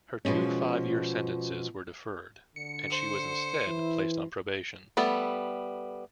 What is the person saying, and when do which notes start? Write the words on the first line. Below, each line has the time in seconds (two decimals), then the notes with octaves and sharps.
Her two five-year sentences were deferred, and she was instead placed on probation.
0.25 B2 F3 G#3 C#4
2.56 D3 C#7
2.90 C5
3.68 E3 E4
4.97 G3 A3 B3 A4